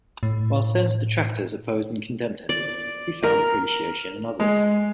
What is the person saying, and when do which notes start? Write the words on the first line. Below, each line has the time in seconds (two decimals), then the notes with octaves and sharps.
While Sen's detractors opposed and condemned him, he found appreciation in others.
0.23 A2
2.49 D5
3.23 A#4
4.40 G#3